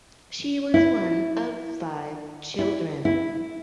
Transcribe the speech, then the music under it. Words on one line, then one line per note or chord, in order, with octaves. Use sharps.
She was one of five children.
E4
E4
E4